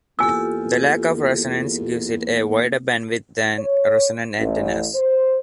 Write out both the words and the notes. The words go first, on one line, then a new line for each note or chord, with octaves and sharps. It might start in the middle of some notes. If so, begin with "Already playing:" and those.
The lack of resonance gives it a wider bandwidth than resonant antennas.
E2 A#3 F4 G4 A4 G#5 E6
C#5
A1
C5